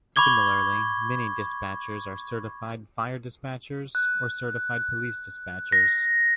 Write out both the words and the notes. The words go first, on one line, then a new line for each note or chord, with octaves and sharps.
Similarly, many dispatchers are Certified Fire Dispatchers or Certified Police Dispatchers.
B5 C#6 D6 G#6 G7
F#6
A#6